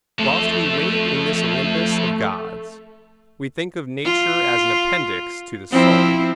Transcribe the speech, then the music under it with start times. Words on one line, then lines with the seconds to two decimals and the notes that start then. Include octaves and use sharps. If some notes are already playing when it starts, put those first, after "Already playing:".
Whilst we wait in this Olympus of gods, we think of nature as an appendix to the soul.
0.19 F2 A3 A4
4.05 F4
5.71 F3 C4 E4